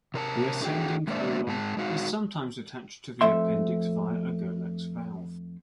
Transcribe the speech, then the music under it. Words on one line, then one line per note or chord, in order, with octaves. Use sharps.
The ascending colon is sometimes attached to the appendix via Gerlach's valve.
C3 A#4 C5 A5
A3 D4 F#4 G#4 F#5 G5
G#3 A#3 D4 C5 D5 E5
G#2 G#3 A5
G#3 D#4 F#4 F5
F2 A3 E5 C6